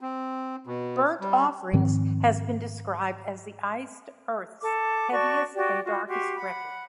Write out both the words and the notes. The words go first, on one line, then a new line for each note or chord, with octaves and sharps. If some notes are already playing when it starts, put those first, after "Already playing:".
"Burnt Offerings" has been described as the Iced Earth's heaviest and darkest record.
C4
B2
G3
G#2 D#3 F3 C4
A4 D6
F#4 D5 A5 C#6
F#4 G4 D5
F4 F#4
F#4 G4 C6
F#5 B5